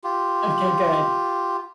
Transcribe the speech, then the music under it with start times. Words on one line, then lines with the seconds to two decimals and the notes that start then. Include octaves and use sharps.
Okay, good.
0.04 F4 G4